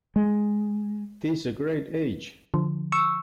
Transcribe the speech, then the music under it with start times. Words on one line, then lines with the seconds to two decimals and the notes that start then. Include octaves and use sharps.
'Tis a great age!
0.16 G#3
2.54 D3 F3
2.92 C#6 E6